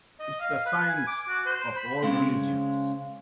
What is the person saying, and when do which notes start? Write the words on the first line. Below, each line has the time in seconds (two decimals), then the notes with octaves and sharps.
It's the science of all religions.
0.20 D#5
0.40 F5
0.66 B4
0.87 G#5
1.07 D6
1.28 F#4
1.46 C5
1.76 B5
2.02 C#3 G#3 C4